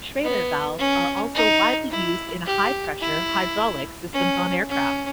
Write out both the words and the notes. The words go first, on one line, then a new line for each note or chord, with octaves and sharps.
Schrader valves are also widely used in high-pressure hydraulic systems on aircraft.
B3
C#4
D#4
E4
G4
E4
C#4
C#4